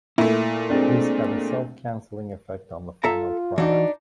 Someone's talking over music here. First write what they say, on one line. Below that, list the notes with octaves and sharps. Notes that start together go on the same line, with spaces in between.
This had a self-canceling effect on the final product.
A#2 A3 E4
G#3 C4 D4
F4 A4 E5 A#5
E3 D4 D#4 F#4